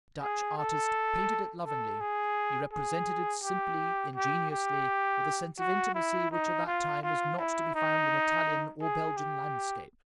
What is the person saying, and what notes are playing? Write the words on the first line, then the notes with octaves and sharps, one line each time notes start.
The Dutch artist painted it lovingly; he represented it simply, ingenuously, with a sense of intimacy which at that time was not to be found in Italian or Belgian landscape.
G#4
A4
A4
G#4
G#4
G4
G4
G4
F#4
E4
D#4
F4
F4
E4
D#4
G#4
G4